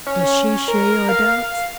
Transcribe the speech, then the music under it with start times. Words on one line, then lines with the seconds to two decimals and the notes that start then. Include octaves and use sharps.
"Does she share your doubts?"
0.07 C#4
0.68 A#4
1.09 F5